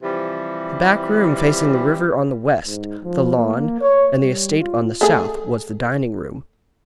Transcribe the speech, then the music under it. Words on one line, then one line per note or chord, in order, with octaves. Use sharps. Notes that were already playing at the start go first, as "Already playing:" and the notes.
The back room facing the river on the west, the lawn and the estate on the south, was the dining-room.
C3 E3 F3 G3
G#2
F3
A#3
C#5
G3
F4
A3 G#4